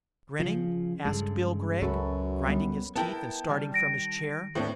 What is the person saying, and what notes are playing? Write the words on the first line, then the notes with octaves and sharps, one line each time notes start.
"Grinning?" asked Bill Gregg, grinding his teeth and starting from his chair.
C#3 F3
G2 C#3 G#3 A4
C#2 F#2 F#4 A4 B4
G3 B3
B3 E4 A#4 G5 A5
D#3 G3
A#6 D7
D#2 A2 B3 C4 D4